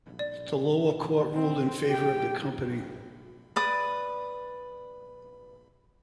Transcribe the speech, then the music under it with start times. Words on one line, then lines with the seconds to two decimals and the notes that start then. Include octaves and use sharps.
The lower court ruled in favor of the company.
0.19 D5
1.34 C4
1.88 G4 G5
3.56 B4 D5 D#6